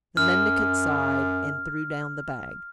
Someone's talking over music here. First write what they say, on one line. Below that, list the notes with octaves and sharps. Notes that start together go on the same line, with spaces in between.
The mendicant sighed and threw down the bag.
F#2 F6